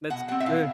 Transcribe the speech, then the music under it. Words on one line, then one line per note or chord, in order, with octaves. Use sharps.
That's ugh.
B2 F#5
G3 C4 F#5
E5
B2 F5